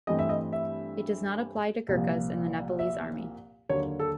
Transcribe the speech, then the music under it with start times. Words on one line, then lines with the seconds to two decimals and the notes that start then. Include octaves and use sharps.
It does not apply to Gurkhas in the Nepalese Army.
0.07 G2 E3 A3 C4 D#5
0.19 E5
0.29 D#5
0.53 E5
1.88 C2 A#2 F3
2.79 E5
3.69 D#2 D3 F#3 A#3 C#5
3.99 A4